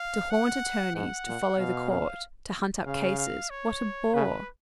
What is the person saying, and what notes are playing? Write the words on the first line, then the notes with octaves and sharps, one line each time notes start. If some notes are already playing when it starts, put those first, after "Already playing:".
To haunt attorneys, to follow the court, to hunt up cases--what a bore!
Already playing: F5
F#5
G#2 F#5
A#2
B2 F5
F5
C#3 F5
F5
C#5
C#3 B4